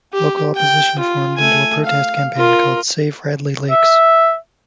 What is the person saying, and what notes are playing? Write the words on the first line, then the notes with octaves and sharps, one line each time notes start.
Local opposition formed into a protest campaign called Save Radley Lakes.
G4
G5
F4
A3 G#5
F5
F4 A#4
E5